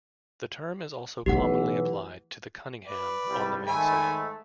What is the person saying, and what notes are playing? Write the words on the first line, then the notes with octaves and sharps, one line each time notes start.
The term is also commonly applied to the cunningham on the mainsail.
B1 E3 A3 E4 G4 F#5
B4 D5
C2 G3
G#2 D#3 A3 G#5 B5